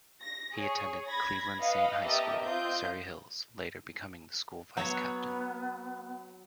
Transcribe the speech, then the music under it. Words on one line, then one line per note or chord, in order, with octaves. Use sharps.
He attended Cleveland Saint High School, Surry Hills, later becoming the school vice-captain.
A#6
G#4 C#5
B5 G#6 A#6
B4 D#5 F5 F#5 B5
B3 G4 A#4 D#5 E5 A5
C4 F4 D#5 G6
F#3 B3 C#5